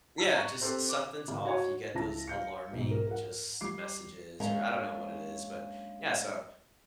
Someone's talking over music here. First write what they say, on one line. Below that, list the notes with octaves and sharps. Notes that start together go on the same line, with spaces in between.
Yeah, just something's off. You get those alarming, just messages, or I don't know what it is. But, yeah, so
A5 E6 D#7
A5 A#5 C#6 F#6
C4 G4 A4 C5
D6
F#1
F#4 C#5
C#2 E4 A5 A#6
F5 G6 C#7
B1 G#2
A#4
A#4 F#5
G3 D6 C7
F#2 G#3 A#3 C#4 D4 A#5